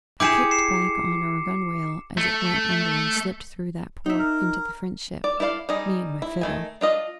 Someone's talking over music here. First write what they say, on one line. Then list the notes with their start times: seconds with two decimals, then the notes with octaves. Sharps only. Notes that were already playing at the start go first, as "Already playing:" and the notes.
I kicked back on our gunwale as it went under and slipped through that port into the French ship--me and my fiddle.'
0.20 E4 G4 G#4 D6 C#7 E7
0.51 C7 E7
2.18 A3
4.06 D#4 E5
4.19 A#4
5.24 D5
5.40 E4 A4 D5 F5
5.69 G3 D#4 G#4 D#5
6.22 E4
6.41 D#3 A3 G#5
6.81 D4 F4 D#5